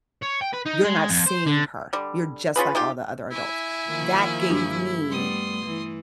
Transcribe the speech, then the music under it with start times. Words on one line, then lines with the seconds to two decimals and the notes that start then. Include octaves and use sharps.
"You're not seeing her. You're just like all the other adults." That gave me
0.23 C#5
0.42 G5
0.54 B4
0.66 D#4
0.84 G#3
1.10 F2
1.26 C5
1.46 D3
1.93 D3 G3
2.56 C#4 F4 G#4 B4
2.75 G#3 D#4 F4 G4
3.31 E4 E5 G#5
3.88 D#3 F3 A#3
4.50 G2
5.10 G3 A3 B3 C6 D#6
5.66 E3